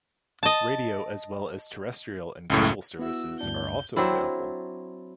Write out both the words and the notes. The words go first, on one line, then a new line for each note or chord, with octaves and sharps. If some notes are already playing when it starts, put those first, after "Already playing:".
Radio, as well as, terrestrial and cable television services are also available.
D#5 A5
C#2 F#2 A2
B3 E4 F#4 E6
D2 G2 D4 G6
F#3 C4 D4 E4